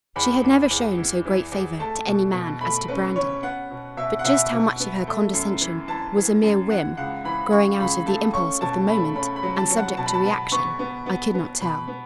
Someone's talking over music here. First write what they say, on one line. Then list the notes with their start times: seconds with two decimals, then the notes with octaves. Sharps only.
She had never shown so great favor to any man as to Brandon, but just how much of her condescension was a mere whim, growing out of the impulse of the moment, and subject to reaction, I could not tell.
0.16 E2 B5
0.44 E2
0.70 E2
0.97 E3
1.25 E3
1.52 E2
1.79 A3 A5
2.07 B2
2.33 B2
2.61 A3 B5
2.88 C#4 B4
3.16 C#4 C#5
3.43 B3 F#5
3.71 B2
3.97 B2 E5
4.19 F#5
4.24 B2 E5
4.52 B2
4.80 B3
5.07 A3
5.33 F#2
5.61 E3
5.88 E3 A5
6.16 E3
6.43 F#2
6.70 E3 F#5
6.97 C#2 F#5
7.25 E3 B5
7.51 C#3 C#6
7.80 C#2 B5
8.06 A3 A5
8.34 C#4 C#6
8.61 B2 A5
8.88 A3 B5
9.15 C#4 B5
9.36 B5
9.43 F#3
9.56 A5
9.70 F#3
9.77 F#5
9.97 B2 A5
10.06 B5
10.14 A5
10.24 B3 B5
10.52 B3 C#6
10.79 B3
11.06 B3
11.34 B3
11.60 B2 B5
11.88 B3